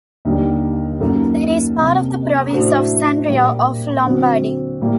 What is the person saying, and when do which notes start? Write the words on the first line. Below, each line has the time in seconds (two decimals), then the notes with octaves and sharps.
It is part of the province of Sondrio of Lombardy.
0.25 D#2 D3 G3
1.00 F#2 F#3 A#3 D#4 A4
1.77 C3 G3 A#3
2.52 A2 A3 D4 F#4 C5
3.29 A#2 G3 A#3
4.04 D3 F#3 C4 F#4
4.81 A2 G3 A#3